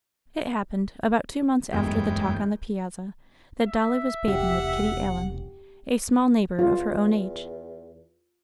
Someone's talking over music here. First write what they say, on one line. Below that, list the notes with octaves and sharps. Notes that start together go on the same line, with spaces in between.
It happened, about two months after the talk on the piazza, that Dolly was bathing with Kitty Allen, a small neighbor of her own age.
F#1 B1 E2 G2 G#3 G5
E5
E1 C2 G4 F#5
E2 F4